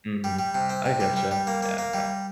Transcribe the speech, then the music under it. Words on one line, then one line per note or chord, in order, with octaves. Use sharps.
Mhm. I get you, yeah I
G3
G3
C3
C4
C3
G3
G3
G3
A#3
A#3
A#3
G3